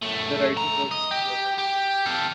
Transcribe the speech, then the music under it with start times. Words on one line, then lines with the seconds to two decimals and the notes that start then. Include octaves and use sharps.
The writer was his brother.
0.03 F#2 A3
0.57 C#2 A#5
0.91 D#5
1.11 G4
1.58 G4
2.06 A4 F5